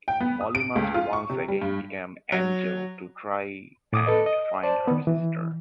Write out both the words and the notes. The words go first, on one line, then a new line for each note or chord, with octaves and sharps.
Molly must once again become Angel to try and find her sister.
G5
B3
D#6
D7
C#2
F4
C#6
C3
G3
G2
F#3
A2 D6 D#6
A4 B4 D#5
D#5
C5 D5 A5
D#3 B3
E3